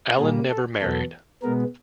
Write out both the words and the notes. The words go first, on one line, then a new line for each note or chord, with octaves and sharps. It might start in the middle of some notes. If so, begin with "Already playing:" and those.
Allen never married.
A#2 G3 A#3 G#4
A4
E2 B2 F#3 B3 A4
B2 G#3 B3 A#4